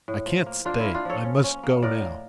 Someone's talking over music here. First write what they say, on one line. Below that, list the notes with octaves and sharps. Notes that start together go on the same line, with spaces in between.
"I can't stay, I must go now...."
A2
F3
A#3
A#3 D4 F4
E4
A#3
D4 F4
F3 A4 C#5
C#4
C#4
A#3
A2 A#4 D5
A#3